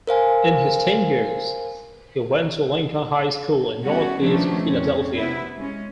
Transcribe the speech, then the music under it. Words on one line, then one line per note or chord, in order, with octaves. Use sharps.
In his teen years, he went to Lincoln High School in Northeast Philadelphia.
A#4 C5 F5 G#5
G3 B3 C#4 F#4
B2 D#3 F3 A3 C#4 D4
F2 A2 C4 C#4
C3 B3 E4
G#3 C#4